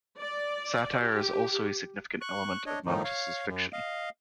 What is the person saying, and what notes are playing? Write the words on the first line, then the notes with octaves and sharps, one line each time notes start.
Satire is also a significant element of Mamatas's fiction.
D5
G4
C#6 F#6
D4 C#5 D#5
A2 D#3 F3 D#4
C#5 F5
F#2
D#5 F5